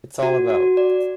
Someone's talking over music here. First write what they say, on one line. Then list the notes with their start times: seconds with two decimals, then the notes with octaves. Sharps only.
It's all about.
0.23 F#4
0.50 F#4
0.77 D5